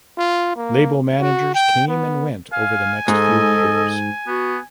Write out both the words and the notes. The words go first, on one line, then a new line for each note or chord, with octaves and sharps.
Label managers came and went over the next few years.
F4
A#3
F#4
G5
B3
F5 G#5
G#2 A4 D#5
B3 F#4